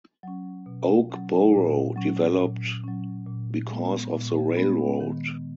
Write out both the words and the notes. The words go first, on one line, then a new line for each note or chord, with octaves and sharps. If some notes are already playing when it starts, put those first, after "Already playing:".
Oakboro developed because of the railroad.
F#3 C#4
B2
F#3 C#4
A#2
F#3 C#4
A#2
F#3 C#4
A#2
G#3 B3
A#2
G#3 B3
D#3